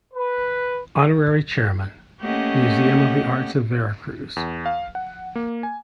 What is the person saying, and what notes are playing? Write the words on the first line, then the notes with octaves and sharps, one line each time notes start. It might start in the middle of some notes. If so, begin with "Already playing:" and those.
Honorary Chairman: Museum of the Arts of Veracruz.
B4
A3 A#3 C#4 G4 D#5 F#5
E2
F5
F#5
A#3
G#5